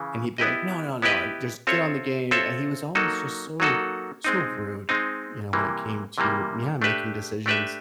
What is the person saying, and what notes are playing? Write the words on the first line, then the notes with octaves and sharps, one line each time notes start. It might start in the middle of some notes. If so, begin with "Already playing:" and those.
And he'd be like, "No, no, no, uh, just get on the game," and he was always just so so rude, you know, when it came to Yeah, making decisions,
Already playing: C#3 E3
B3 E4 G4 B4 D#5
B3 E4 G4 B4 D#5
C4 F4 A4 C#5 E5
C4 F4 A4 C#5 E5
F#3 A#3 D#4 F#4 A4
F#3 A#3 D#4 F#4 A4
G#3 C4 D#4
G#3 C4 D#4
C3 E3 G3 A#3
C3 E3 G3 A#3
A3 D4 G4 B4 E5
A3 D4 G4 B4 E5